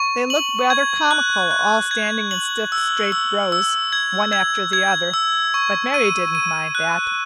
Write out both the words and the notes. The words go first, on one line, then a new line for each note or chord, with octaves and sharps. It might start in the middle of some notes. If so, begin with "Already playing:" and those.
They looked rather comical, all standing in stiff, straight rows, one after the other; but Mary did not mind that.
Already playing: C#6
F#7
G#6
F#6
F#6
G#6
F#7
E6
E6
E6
G#6
G#6
G#6
E6
C#6
D#7
D#7
F#6